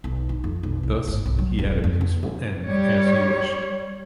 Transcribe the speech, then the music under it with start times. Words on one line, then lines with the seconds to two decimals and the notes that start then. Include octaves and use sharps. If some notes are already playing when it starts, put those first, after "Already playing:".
Thus, he had a peaceful end as he wished.
0.04 B1
0.29 D#4
0.44 F2
0.63 B1
0.83 C2
1.07 G1
1.26 B1
1.38 F#3
1.59 D#1
1.84 F2
2.01 B3
2.23 F#2
2.67 G3 C#5